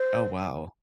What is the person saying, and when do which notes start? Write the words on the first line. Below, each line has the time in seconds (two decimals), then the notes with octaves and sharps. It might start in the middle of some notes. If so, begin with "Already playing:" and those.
Oh, wow.
Already playing: C5